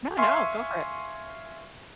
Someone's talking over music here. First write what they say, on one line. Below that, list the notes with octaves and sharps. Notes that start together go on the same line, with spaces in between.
No, no, go for it.
E5 F5 G#5 C6 C#6